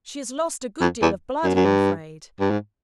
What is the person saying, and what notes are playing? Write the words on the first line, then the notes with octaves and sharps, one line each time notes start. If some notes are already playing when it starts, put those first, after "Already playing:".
She has lost a good deal of blood, I'm afraid.'
F2
E2
F#2
F#2
G2
G2
G#2